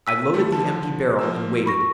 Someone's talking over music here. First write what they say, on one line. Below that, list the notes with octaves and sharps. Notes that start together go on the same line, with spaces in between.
I loaded the empty barrel and waited.
E6 B6 D#7
G3 A3 E4
D3 F3 A5
F3 A#3 E6
B5 C#6 A#6